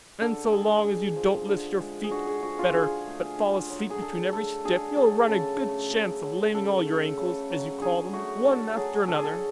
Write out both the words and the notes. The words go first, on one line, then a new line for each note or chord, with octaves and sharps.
And so long as you don't lift your feet better, but fall asleep between every step, you'll run a good chance of laming all your ankles as you call them, one after another.
D3 A4
G#3 G#4
D3
F3
D3
G#3
G#4
D3 F#4
G#4
F3 F#4
F4
D3 G#4
A3
D3
F#3
G#4
D3 A4
A3 A4
D3 G#4
F#3 A4
C#3 A4
A3
C#3
F#3
C#3 A4
A3
C#3
F#3
D3 G#4
A3 F#4
D3 A4
F#3 G#4
D3 A4
G#4
A4